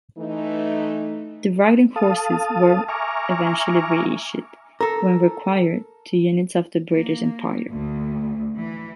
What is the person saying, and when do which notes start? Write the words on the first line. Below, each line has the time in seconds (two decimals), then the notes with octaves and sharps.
The riding horses were eventually reissued, when required, to units of the British Empire.
0.17 E3 A3 D#4
1.96 A4 F5 A5 D#6
2.88 E5 G#5 A#5 C#6 D6 F6
4.81 A4 A#4
6.90 A#3
7.72 D2
8.57 E3